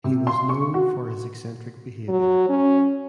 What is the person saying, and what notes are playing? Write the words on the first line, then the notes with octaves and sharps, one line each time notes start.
He was known for his eccentric behavior.
C3
C6
C#6
F#4
F#3
C#4